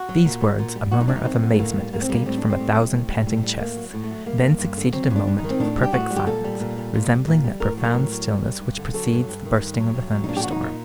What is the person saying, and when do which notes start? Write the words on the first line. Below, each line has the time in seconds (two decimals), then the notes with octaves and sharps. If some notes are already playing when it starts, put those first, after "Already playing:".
At these words a murmur of amazement escaped from a thousand panting chests; then succeeded a moment of perfect silence, resembling that profound stillness which precedes the bursting of a thunderstorm.
Already playing: F#4
0.09 F#3
0.25 A#2
0.41 G3
0.59 A#2
0.76 G3
0.91 F#3 F#4
1.00 D#4
1.08 F#2 D4
1.16 D#4
1.25 F#2 C4
1.43 D3
1.54 A3
1.59 A2 A#3
1.76 G3
1.92 A2 A#3
2.02 C4
2.09 G3 A#3
2.25 A2 C4
2.37 D4
2.43 G3
2.50 C4
2.59 A2
2.75 G3
2.93 A2
3.09 G3
3.26 A2
3.43 G3
3.60 A2 A#3
3.76 F#3
3.94 A2
4.04 A3
4.10 F#3
4.26 G3 A#3
4.43 G2
4.59 G2
4.77 D3
4.93 F#3 C4
5.10 G2
5.16 D4
5.27 G2
5.38 D#4
5.44 D#3
5.50 C4
5.60 A2 D4
5.77 G3
5.83 G4
5.93 A2 F#4
6.10 G3
6.16 G4
6.26 A#2 A4
6.44 G3
6.60 A#2
6.78 G3
6.94 A#2
7.10 G3
7.28 A#2
7.44 G3
7.60 A2 A#4
7.77 F#3
7.85 A#4
7.94 A2
8.12 F#3
8.27 G3
8.45 G2
8.61 G2
8.78 D3
8.94 F#3 A4
9.12 G2
9.28 G2
9.45 D#3
9.61 G2
9.79 F#3
9.94 G2
10.12 F#3
10.24 D#4
10.28 A#2 D4
10.37 G4
10.43 F#3 F#4
10.51 D#4
10.62 A#2